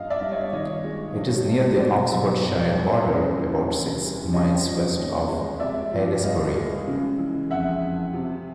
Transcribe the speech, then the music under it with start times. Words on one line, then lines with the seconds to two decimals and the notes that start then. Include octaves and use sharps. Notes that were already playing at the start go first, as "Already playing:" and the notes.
It is near the Oxfordshire border, about six miles west of Aylesbury.
Already playing: G2 G3 D#5 F5
0.10 D5 E5
0.21 G2
0.31 C#5 D#5
0.53 D#3 C#5 D#5
0.84 G#3
1.16 G2
1.48 G2
1.79 B2 C5 D5
2.11 F#3
2.43 C2
2.74 C2
3.07 C#3
3.38 E3
3.69 D2
4.02 G3
4.33 C#3 C#5 D#5
4.65 F3
4.97 D#2
5.29 G#3
5.60 C3 D5 E5
5.91 F3
6.23 C2 D#5 F5
6.56 G#3
6.88 C#3
7.18 E3
7.50 F2 E5 F#5
7.82 F2
8.14 C3